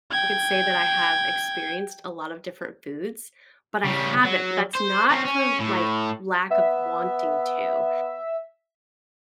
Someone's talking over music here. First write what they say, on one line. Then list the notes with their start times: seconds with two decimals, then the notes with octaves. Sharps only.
I could say that I have experienced a lot of different foods, but I haven't, but that's not for, like, lack of wanting to,
0.11 G5 G#6
3.85 C#3 G3
4.25 F#3
4.75 C5
5.10 C4 C#4
5.25 C#4
5.60 A2
6.51 B3 E5